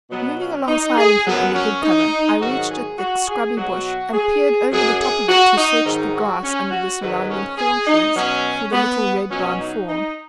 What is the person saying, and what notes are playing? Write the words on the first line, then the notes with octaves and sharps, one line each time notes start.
Moving along silently under good cover I reached a thick scrubby bush and peered over the top of it to search the grass under the surrounding thorn-trees for the little red-brown form.
B2 F#3 B3
C#4
D#4
G#4
F#2 F#3 B3
C#4
D#4
G#2 D#3 F#3 F#4
G#4
F#4
G#4
B2 F#3 F#4
G#4
F#2 F#3 G#4
G#4
F#4
D#4
G#2 D#3 F#3 D#4
F#4
C#4
F#4
G#2 D#3 F#3 B4
C#4
G#4
D#4
B2 F#3 C#4
B3
B2 F#3 C#4
D#4
D#4